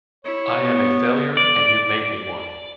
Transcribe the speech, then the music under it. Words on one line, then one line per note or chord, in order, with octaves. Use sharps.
I am a failure, and you made me one.
E4 C#5
B3
D5